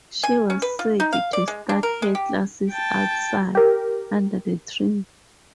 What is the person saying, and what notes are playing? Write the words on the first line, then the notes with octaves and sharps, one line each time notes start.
She was said to start her classes outside, under the tree.
G#5
C#4
B4
F4
D#4
F5
D5
G#3
D4
A#4
G#3
G4
G5 A5
G4 A#4